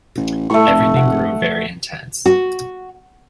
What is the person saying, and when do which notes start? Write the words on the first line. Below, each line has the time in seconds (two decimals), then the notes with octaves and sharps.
Everything grew very intense.
0.17 A1
0.50 A2 A3 C#6
0.68 F1
0.97 F#5
2.26 F#4